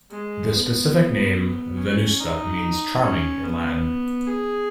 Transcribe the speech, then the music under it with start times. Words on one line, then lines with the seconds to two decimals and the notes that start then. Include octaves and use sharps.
The specific name, "venusta", means "charming" in Latin.
0.11 G#3
0.53 B3
1.36 B3
1.77 C#4
2.20 D#4
3.02 C#4
3.44 B3
4.27 G#4